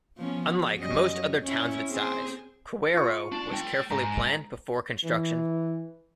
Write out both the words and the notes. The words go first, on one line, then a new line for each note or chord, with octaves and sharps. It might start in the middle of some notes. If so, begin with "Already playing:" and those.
Unlike most other towns of its size, Kawerau was carefully planned before construction.
F3 B3 C#4
F#4
F#2 G3 D#5
F#3
C#4 E4
C4 G#4 C5
F4 C#6
D4
A3 G5
G#2 A#5
E3